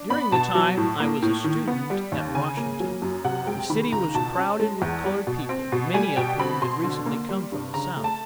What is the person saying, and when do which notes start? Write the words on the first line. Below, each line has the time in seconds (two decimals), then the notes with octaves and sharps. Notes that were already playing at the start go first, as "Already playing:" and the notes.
During the time I was a student at Washington the city was crowded with coloured people, many of whom had recently come from the South.
Already playing: D4
0.10 B3 B5
0.32 B2 A5
0.55 F#3
0.77 A2
1.00 A#3
1.22 A2
1.44 D#3
1.68 B3
1.90 G3
2.12 D#2
2.35 C#3 G#5
2.57 A#3
2.80 F#3
3.02 F#2
3.25 C3 F#5
3.47 G#3 G5
3.70 D#3 B5
3.92 C#2 A#5
4.15 B2 A5
4.37 C#4
4.60 G#3
4.82 E2
5.04 G3
5.27 B2
5.49 C4
5.72 B2
5.94 G3 G#5
6.17 B2 G5
6.39 C4 B5
6.61 B2 C6
6.84 D3
7.06 A#3
7.29 G3
7.52 G2
7.74 C#3 A#5
7.97 A3
8.04 A5